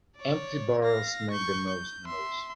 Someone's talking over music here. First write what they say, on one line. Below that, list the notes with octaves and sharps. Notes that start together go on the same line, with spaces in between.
Empty barrels make the most noise.
C#5 D5
F5 A#6
C#6 G6
G6
E5 C6